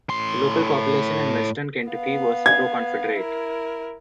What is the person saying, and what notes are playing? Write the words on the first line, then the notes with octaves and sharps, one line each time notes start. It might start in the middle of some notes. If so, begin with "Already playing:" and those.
The local population in western Kentucky was pro-Confederate.
A2 C6
B3 F5
G#6
E4 A#4